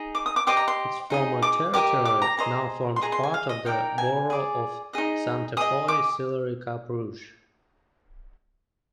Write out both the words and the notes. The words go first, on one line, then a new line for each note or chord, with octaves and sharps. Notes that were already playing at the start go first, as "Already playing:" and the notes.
Its former territory now forms part of the borough of Sainte-Foy-Sillery-Cap-Rouge.
Already playing: D#4 G#4 D#5
D6
D#6
D6
G4 C5 D#5 D6
A#5
C6
D#4 G#4 D#5
D6
G4 A#4 D#5 D6
D6
A#5
G#4 C5 D#5 A#5
C6
G#4 D#5 A#5
C6
G#5
F5
D#5
D#4 A#4 D5 G5
G#5
G#4 D5
D#4 G#4 D#5
G#4 D#5 D#6
D6